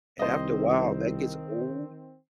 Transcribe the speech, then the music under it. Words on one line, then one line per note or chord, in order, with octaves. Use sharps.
And after a while, that gets old,
C2 D#3 C4 C5 D#5